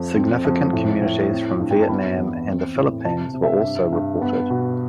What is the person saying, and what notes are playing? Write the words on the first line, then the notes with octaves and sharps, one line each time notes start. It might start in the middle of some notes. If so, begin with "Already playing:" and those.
Significant communities from Vietnam and the Philippines were also reported.
Already playing: F2
C4
F2
A2
A2
C4
G2
G5
A5
B3 B5
E2
C4
A2
C3 A5
C3
E5
G2
G2
B3
B2